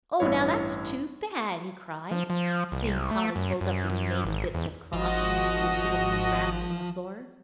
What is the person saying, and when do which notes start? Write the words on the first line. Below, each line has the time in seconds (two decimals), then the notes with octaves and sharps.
"Oh now, that's too bad!" he cried, seeing Polly fold up the remaining bits of cloth, and pick up the scraps on the floor.
0.20 A1 G2 E4 C#5
2.11 F3
2.30 F3
2.72 C2
3.11 A3
3.36 F#2
3.61 F#2
3.90 F#2
4.25 G#1
4.55 E2
4.93 G#1 F3 F#4 D#5